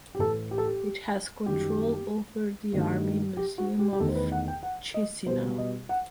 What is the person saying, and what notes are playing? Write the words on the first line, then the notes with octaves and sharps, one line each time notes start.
It has control over the Army Museum of Chisinau.
G4
A2 E3 A3 A4
G4
A4
G4
F#2 D#3 G3 G4
G2 D#3 F#3 A3
G4
F#4
G4
G4
E2 D#3 A3 A4
C5
B4
F#5
G5
F#5
D#5
B2 G3 C5
D#5
F#5